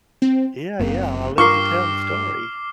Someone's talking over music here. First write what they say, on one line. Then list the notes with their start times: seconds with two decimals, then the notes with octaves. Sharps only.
Yeah, yeah. I lived to tell the story
0.22 C4
0.80 F#1 F#2 A#3 C4
1.38 G2 F4 A#4 C#6 D6 F6 C7